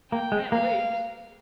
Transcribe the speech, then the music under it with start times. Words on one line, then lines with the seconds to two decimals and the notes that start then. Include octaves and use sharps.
"Ten weeks!"
0.11 A#3 G5
0.32 G#3
0.52 A#3 F5